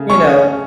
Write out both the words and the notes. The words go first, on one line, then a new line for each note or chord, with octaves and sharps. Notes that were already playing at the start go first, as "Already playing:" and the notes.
you know?
Already playing: C#3 A3
C#4 C#6